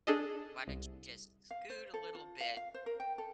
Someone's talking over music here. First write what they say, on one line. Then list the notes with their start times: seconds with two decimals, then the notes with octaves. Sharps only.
Why don't you just scoot a little bit
0.07 D4 G#4 A4 D#5
0.68 C2
1.51 F5
1.70 C5
1.94 A4
2.15 F4
2.41 F5
2.57 F5
2.74 C5
2.86 A#4
3.00 G5
3.18 A4